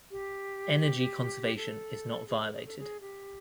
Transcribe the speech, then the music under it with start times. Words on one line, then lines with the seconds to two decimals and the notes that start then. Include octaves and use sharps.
Energy conservation is not violated.
0.11 G4
1.56 A4
2.28 G#4
2.41 A4
2.53 G#4
2.66 A4
2.79 G#4
3.01 G4